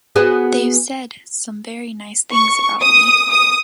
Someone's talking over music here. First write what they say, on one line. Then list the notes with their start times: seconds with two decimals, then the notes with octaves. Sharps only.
They've said some very nice things about me.
0.16 B3 F#4 G#4
2.33 C#6
2.82 D#6
3.32 D#6